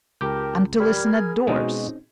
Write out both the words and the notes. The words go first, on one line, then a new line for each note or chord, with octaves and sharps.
"And to listen at doors!"
C#2 G4 A#4 G5 A5 D6 G6
G3 A#4 B5 F6 G#6
G#4
B2 G#3 C4 C#4 D#4 F#4